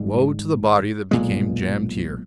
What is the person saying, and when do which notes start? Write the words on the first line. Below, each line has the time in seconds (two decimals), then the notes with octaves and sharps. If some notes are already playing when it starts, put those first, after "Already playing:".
Woe to the body that became jammed here!
Already playing: G#1 G#2 G3
1.11 B1 A#2 G#3